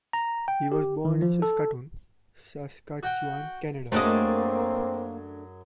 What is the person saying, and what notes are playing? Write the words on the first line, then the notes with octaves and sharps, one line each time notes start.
He was born in Saskatoon, Saskatchewan, Canada.
A#5
G5
G4
D#3
F3
A4
F#4 G5
F#2 A3 A#3 C4 D4 G#4 D#5